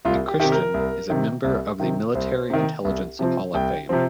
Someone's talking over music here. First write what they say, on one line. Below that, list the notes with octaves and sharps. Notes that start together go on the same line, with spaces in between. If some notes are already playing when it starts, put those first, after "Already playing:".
McChristian is a member of the Military Intelligence Hall of Fame.
C2 F4
G4
C3 D#3 G4
A#4
C2
C3 D#3
C2
C3 D#3
C2 C5
C3 D#3
C2
C3 F3 C4
C2 G5
C3 F3 C4